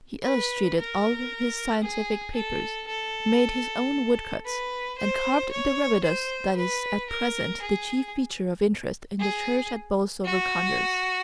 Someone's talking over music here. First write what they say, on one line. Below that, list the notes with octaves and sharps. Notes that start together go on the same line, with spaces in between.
He illustrated all his scientific papers, made his own woodcuts, and carved the reredos that is at present the chief feature of interest in the church at Borlsover Conyers.
B4
A#4
G#4
A4
A4
B4
C5
C#5
C5
B4
A#4
G#4
G#4
F#4